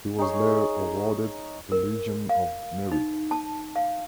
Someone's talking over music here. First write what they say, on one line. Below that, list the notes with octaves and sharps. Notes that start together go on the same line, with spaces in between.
He was later awarded the Legion of Merit.
D#4 G#4 C#5
A#4
F5
D#4
A5
F5